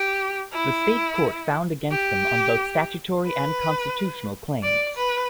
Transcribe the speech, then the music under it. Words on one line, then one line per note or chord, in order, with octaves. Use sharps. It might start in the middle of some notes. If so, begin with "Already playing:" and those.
The state court found against them on both statutory and constitutional claims.
Already playing: G4
E4
G4
B4
D5
B4